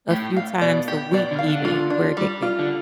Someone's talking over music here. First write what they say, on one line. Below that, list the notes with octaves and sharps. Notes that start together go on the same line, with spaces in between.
a few times a week even, we're addicted
A2 G4
F5
B2 D5
G4
B2 D5
D3
F5
D3
F4
D4
G3
F4
D3